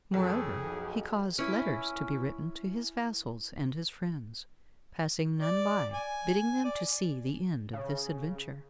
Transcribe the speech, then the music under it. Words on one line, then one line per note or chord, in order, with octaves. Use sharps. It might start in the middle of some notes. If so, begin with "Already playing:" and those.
Moreover he caused letters to be written to his vassals and his friends--passing none by--bidding them to see the end of this adventure.
F2 A2 C#4 G#4 A4
B1
C#4 E4
D5
G#5
D5
C#3